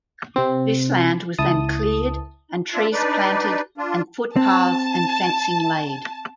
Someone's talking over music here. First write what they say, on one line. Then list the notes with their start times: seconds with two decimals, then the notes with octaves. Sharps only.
This land was then cleared and trees planted and footpaths and fencing laid.
0.36 C3 C4
1.38 C#2 E4 A5 D#6
2.74 D4 F4 E5
2.93 D4 D#4 B4 D5
3.78 D4 F4
4.36 C4 A5